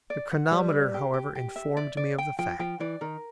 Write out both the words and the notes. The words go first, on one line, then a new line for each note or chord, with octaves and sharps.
The chronometer, however, informed me of the fact.
D5
F#5
G3 B4
B4
G4
G4
G4
E5
D5
D5
G5
F3 G5
F3 G5
E3 D5
D#3 A#4